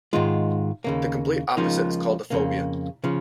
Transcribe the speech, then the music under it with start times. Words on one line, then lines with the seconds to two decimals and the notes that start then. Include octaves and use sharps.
The complete opposite is called a phobia.
0.13 G#2 D#3 G#3 F4
0.84 D#2 C#3 A#3
1.57 C#2 C#3 F3 A#3 D#4
2.30 F2 C#3 A#3
3.04 C#3 F3